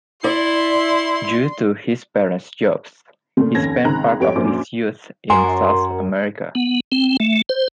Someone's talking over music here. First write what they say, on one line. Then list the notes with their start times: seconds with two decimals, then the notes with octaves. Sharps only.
Due to his parents' jobs he spent part of his youth in South America.
0.24 E4 D5 C6
3.37 A#2 C#3 A3
3.55 F1 D#2 C#4 G#6 A#6
3.84 C#2 D#3 C4 A#5 F#6
4.20 F2 B3 G4 C#5 D7
4.36 A#1 F#2 A#2 C5 D6
5.30 F#2 F#4 A#4 G#5 C6
6.55 B3
6.92 C4
7.20 A3
7.49 C5